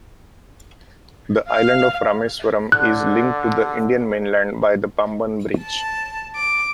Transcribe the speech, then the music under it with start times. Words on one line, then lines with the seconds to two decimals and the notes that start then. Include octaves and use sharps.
The island of Rameswaram is linked to the Indian mainland by the Pamban Bridge.
1.48 F5
2.72 D3 F#6
5.60 A5
6.36 D6